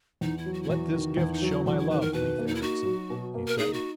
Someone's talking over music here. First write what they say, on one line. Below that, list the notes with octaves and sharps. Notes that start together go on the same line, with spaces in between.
"Let this gift show my love, Leif Ericsson," he said.
E2 D#4
E4
F#3
F#4
E4
E2 F#4
D#3
E2 E4
D#4
F#3
E4
E2 F#4
E4
D#3 B4
A#4
B2 B4
A#3
D#4
E4
D#4 F#4
F#3
B2
A#3
A#4
D#4 G#4
F#4